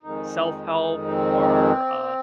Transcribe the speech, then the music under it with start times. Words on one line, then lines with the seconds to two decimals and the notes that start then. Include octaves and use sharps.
self-help or, uh
0.03 F2 D#3 G#3 D#4
1.08 C4